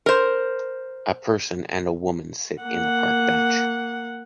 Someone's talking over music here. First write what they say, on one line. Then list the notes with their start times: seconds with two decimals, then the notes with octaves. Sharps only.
A person and a woman sit in a park bench.
0.06 A#4 C5
2.63 A#3 F#5